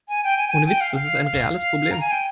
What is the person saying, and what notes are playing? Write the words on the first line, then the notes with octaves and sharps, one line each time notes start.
Ohne Witz, das ist ein reales Problem.
G#5
G5
G#5
G5
G#5
G5
F5
F5
F5
A#5
G#5
G5